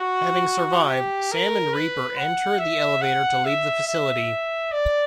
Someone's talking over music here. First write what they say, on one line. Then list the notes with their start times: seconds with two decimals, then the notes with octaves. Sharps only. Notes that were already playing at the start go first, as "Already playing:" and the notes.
Having survived, Sam and Reaper enter the elevator to leave the facility.
Already playing: F#4
0.89 G4
1.32 A#4
1.73 B4
2.17 F#5
2.59 E5
3.02 F#5
3.45 E5
3.87 E5
4.72 D5